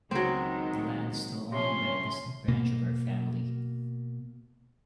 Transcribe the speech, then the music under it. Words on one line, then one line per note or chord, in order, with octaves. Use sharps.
The land is still owned by a distant branch of her family.
C#2 D#3 F#3 G#3 C4
C3 F3 C#4 C6
B2 A#3